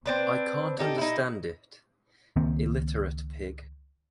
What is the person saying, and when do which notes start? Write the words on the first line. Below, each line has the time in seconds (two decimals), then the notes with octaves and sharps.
I can’t understand it. Illiterate pig.
0.06 C4 D4 B4
0.79 D#4 G4 A4
0.98 D#4 E4
2.36 C#2 D#3 A#3 C4